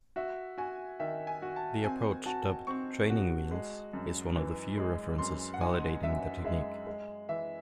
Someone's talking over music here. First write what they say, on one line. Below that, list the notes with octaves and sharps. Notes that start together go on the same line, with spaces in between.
The approach dubbed "training wheels" is one of the few references validating the technique.
F#4 E5
F#4 G#5
D#3 E5
G#5
F#4
A5
C4 G#5
F#4 A5
C4 C#6
F#4
G#3
F#2
E3
G#3
F#2 C6
F#5
D#4 G#5
F#2 E5
G#3 E5
G#3
E3 E5